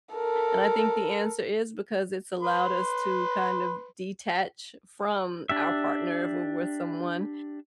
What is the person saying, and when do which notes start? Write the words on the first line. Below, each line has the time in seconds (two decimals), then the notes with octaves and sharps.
And I think the answer is because it's allowed us to kind of detach from our partner if we're with someone
0.15 A4 A#4
2.42 B4 C6
5.49 D4 G4 E5